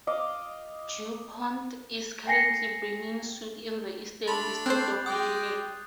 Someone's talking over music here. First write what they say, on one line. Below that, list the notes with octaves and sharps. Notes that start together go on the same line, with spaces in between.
Dupont is currently bringing suit in the Eastern District of Virginia.
D#5 F5 D6
G5 G#5 A#6 C7 C#7
A3 D4 B5 C6 A6 F7
C4 C5 F#6 G6 C7
G#3 G5 D6 D#6